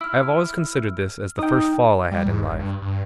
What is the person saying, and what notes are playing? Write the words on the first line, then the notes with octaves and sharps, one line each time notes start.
I have always considered this as the first fall I had in life.
E4 E6 F6
D#4 G5 D#6
G3
G#2
G1
G2
G2